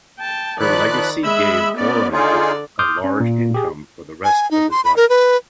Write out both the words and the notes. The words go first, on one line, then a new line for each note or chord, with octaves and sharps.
Her legacy gave Voronoff a large income for the rest of his life.
G5 A5
D#3 F3 D5 B5 F#6
G#3 E5 B5 E6
B3 C#4 D5
D3 D#4 F4 G#4 D5
C6 D6 D#6 F6 G6
C#4
A#2
G4 G#4
G#5
D#4
C6
B5
A#4
B4